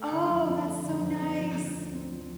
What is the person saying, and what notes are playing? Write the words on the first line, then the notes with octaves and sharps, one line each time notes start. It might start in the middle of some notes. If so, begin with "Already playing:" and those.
Oh, that's so nice.
Already playing: A3
D3
F2
C4
A3
D3
F2
C4
F3
D3
D2
C4
F3